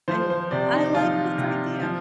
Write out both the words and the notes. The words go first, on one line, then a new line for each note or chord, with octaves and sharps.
I I like this idea.
F3 C5
C5
C3 D5
D#4
F3 F4
C3
F3